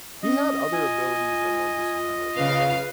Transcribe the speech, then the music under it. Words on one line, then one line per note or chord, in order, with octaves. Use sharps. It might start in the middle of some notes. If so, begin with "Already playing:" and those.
He had other abilities that weren't just metal though, right?
C#4 D#5
F4 G#5
C#3 B4 F5